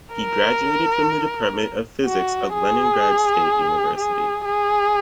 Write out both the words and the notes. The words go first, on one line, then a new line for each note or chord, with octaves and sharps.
He graduated from the Department of Physics of Leningrad State University.
A#4
F#4
G#4
G#4
G#4